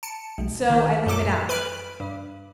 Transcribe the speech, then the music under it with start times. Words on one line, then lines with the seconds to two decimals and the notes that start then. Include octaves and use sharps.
And so I leave it out.
0.03 A5 C#7 D7
0.38 B1
0.70 D#3
1.06 F#2 A#2 A4 D6 D7
1.49 B4 B5 F6 D7
2.00 G2